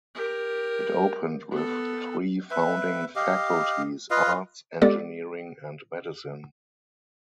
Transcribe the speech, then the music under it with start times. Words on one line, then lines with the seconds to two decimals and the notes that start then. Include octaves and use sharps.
It opened with three founding faculties, Arts, Engineering and Medicine.
0.15 G4 A#4
1.51 B3 A4
2.51 B4 E5
3.16 G4 D#5 F5
4.10 F4 B4 D#5 F5
4.82 G#3 B3 G4 A4 D5 D6